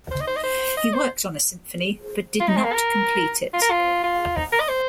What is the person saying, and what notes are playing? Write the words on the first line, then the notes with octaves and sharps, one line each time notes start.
He worked on a symphony but did not complete it.
C5
D#5
C5
D#5
C5
D#5
C5
F4
D#4
C4
A#3
A#4
F4
A#4
F4
F4
D#4
A#4
D#5
C5